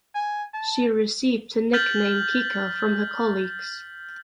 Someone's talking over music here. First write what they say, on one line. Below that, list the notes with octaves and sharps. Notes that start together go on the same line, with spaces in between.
She received her nickname "Kika" from her colleagues.
G#5
A5
F6 G6 A6 B6 F#7